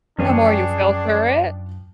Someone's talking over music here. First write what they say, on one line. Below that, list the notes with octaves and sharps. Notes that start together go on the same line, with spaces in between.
The more you filter it?
F#2 F3 C#4 D4 G#4 B4 C#5 G5